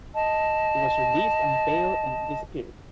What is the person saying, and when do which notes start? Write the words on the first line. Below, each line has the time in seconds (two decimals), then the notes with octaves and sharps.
He was released on bail and disappeared.
0.15 D#5 A5